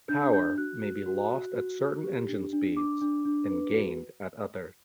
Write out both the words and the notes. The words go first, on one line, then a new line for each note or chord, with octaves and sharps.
Power may be lost at certain engine speeds and gained at others.
D4 G6
D4 G6
F#4 F#6
F#4
F#4
F#4
F#4
F#4
G4
D4
D4
D4 D6
D4
D4
B4
F#4